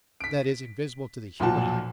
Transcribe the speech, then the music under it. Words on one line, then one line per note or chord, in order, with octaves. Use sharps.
That is, invisible to the human eye.
B6 D7
B1 A#2 F3 F#4 A5